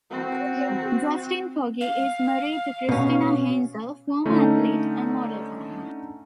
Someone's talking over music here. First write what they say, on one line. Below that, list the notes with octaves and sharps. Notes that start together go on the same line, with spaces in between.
Justin Pogge is married to Christina Heinzel, former athlete and model.
C4 F#4
F5
B2 C#4
D3 A3 C#4 D#4